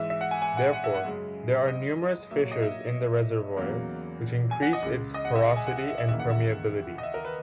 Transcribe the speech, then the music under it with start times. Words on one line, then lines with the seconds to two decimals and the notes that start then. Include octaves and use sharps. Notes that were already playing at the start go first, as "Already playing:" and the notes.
Therefore, there are numerous fissures in the reservoir which increase its porosity and permeability.
Already playing: G#2 E3 G#3 E5
0.10 E5
0.21 F#5
0.31 G#5
0.42 G#5
0.57 F#5
0.73 F#5
0.84 E5
0.94 F#5
1.05 F#2 C#3 G#3
1.68 D#5
2.31 A#2 F#3 A#3 E5
2.41 C#5
2.52 D#5
2.62 E5
3.57 E2 C#3 F#3 A#3
4.51 G#5
4.62 F#5
4.73 D#5
4.83 C#2 C#3 G#3
5.14 D#5
5.25 F#5
5.36 E5
5.56 G#5
5.67 F#5
5.78 F#5
5.88 E5
5.98 E5
6.09 D#2 C#3 E3 A#3 E5
6.19 F#5
6.30 E5
6.98 D#5
7.03 E5
7.14 A#4
7.25 B4